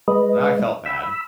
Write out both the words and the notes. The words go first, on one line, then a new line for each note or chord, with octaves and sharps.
Then I felt bad.
G#3 B4 D#5
B5 E6